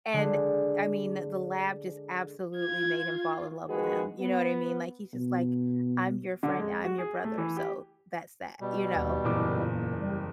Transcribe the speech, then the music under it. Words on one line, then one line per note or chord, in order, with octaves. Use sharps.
And, I mean, the lab just absolutely made him fall in love with him. You know what I mean? Like, he's just, like, "I'm your friend, I'm your brother." So, that's that, you know?
D3 G#3
F4 G#6
D#3 F3 G#3 F#4 G#4 B4
B3
B2
D3
G#3
F#4
G#4
A3
E3
G4
B2 G3
D#2
F#1 E2 A#2 D6
G3